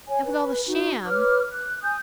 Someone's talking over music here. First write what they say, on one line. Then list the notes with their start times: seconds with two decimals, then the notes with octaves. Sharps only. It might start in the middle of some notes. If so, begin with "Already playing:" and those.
It was all a sham.
0.08 C#5 G#5
0.24 B4
0.66 D#4 F#4
1.05 B4 C#5 D6 F6
1.52 F#6
1.82 G#5 D#6 G6